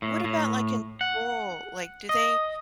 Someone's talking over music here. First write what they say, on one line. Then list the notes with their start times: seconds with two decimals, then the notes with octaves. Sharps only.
What about, like, in school, like, do they
0.02 A2
0.24 A2
1.01 F#5
2.09 D#5